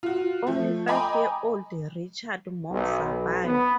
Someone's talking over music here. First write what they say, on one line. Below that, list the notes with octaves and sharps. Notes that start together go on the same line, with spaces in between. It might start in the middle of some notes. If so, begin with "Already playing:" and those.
Only five-year-old Richard More survived.
F4 F#4
F3 A3
D#5 G5 G#5 A#5 B5 D6
B1
B1
B3